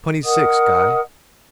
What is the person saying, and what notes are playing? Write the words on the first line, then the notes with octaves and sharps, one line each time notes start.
"Twenty-six, Guy."
A#4 D#5 F#5 D#6